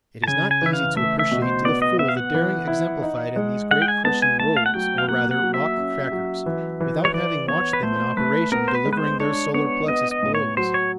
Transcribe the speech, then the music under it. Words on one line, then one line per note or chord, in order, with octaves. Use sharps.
It is not easy to appreciate to the full the daring exemplified in these great crushing rolls, or rather "rock-crackers," without having watched them in operation delivering their "solar-plexus" blows.
A5
C#3 G#5
G#5
E3 E5
F5
A3 E5
E5
B2
C5
B3 D5
D#5
B3 E5
F5
F#5
E3
E4
D#4
G#3
G#3 F#5
G5
G#5
B3 A5
G#5
A3 A5
F5
F#5
F#3 G5
F5
A#3 F#5
F#5
F#3
E5
C#4
F#3
E3
E3
C#5
E3 D5
B3 C#5
B4
A3 C5
A3 B4
B3 A#4
C5
B4
G#3
B4
C5
D4 C#5
B3 C#5
B3 D#5
D#5
A2
C#5
F#3 C5
C#5